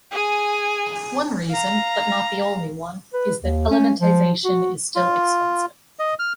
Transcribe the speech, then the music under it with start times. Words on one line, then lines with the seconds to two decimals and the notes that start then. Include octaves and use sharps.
One reason, but not the only one, is that elementization is still expensive.
0.12 G#4 G#5
1.50 F5 A#5
3.13 B4
3.44 D#2
3.71 C#4
4.01 F3
4.45 F#4
4.95 F4
5.99 D#5
6.19 F6